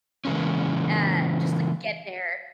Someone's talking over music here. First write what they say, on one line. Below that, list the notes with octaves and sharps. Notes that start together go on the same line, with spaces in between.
uh, just to get there.
C#3 E3 G#3 A#3 C#4